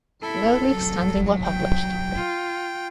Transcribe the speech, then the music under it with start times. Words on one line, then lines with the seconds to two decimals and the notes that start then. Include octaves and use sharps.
No league standing were published.
0.23 E4 A4
0.67 F#3
1.45 G5
2.14 F4